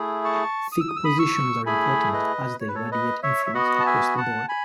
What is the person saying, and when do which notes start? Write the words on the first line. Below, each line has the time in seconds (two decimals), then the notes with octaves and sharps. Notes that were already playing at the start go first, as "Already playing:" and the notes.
Thick positions are important as they radiate influence across the board.
Already playing: A3 E4 G#4
0.24 A5 C#6
0.72 D#6
0.80 E6
0.88 D#6
0.96 E6
1.04 B5 D#6
1.19 C#6 E6
1.66 A3 E4 G#4 G#5 B5
2.13 B4 D#5
2.61 C#5
2.68 B4
2.75 A4 C#5
2.91 B4 D#5
3.23 C#5 E5
3.46 E5
3.54 B3 F#4 D#5 F#5
3.80 A5
3.86 E5 G#5
4.17 F#5 A5
4.49 G#5 B5